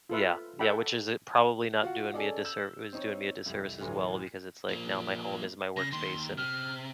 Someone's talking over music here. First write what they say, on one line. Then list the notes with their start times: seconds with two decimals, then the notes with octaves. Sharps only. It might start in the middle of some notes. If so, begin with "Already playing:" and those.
Yeah. Yeah. Which is i probably not doing me a disserv is doing me a disservice as well, because it's like, now my home is my workspace, and
0.10 F4 A4 B4 E5
0.59 A4 E5 F#5 G5 A5 B5
1.83 F4 F#4 F#5
2.14 C#4 G#4 A4 D5 D#5
2.45 E6 G6 E7 F#7
2.93 C4 D#4 C#5
3.46 C2 F2
3.81 D2 A2 E3 F#3
4.69 F3 A#3
5.77 C#3 A#6
5.93 D#2 D#3 C6
6.38 C3 F6